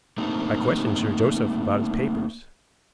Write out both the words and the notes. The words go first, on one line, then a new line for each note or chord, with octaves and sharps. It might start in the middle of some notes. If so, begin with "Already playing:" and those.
I questioned Sir Joseph about his papers.
A3 A#3 C4 D4 D#4